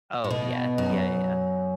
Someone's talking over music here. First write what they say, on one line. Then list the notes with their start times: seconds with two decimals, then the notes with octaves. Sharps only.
Oh, yeah, yeah, yeah, yeah.
0.24 A2
0.31 B2
0.78 F#2